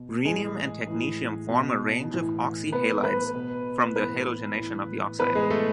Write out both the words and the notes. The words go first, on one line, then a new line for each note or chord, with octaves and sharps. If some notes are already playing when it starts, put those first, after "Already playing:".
Rhenium and technetium form a range of oxyhalides from the halogenation of the oxide.
Already playing: B2
A2 E3 G#3 G#4
A2 E3
B2
A2 E3
A2 E3 B3 B4
B3 B4
B2
A2 E3 B3 B4
A2 E3
A2 E3 B3 B4
G#3 G#4
A3 A4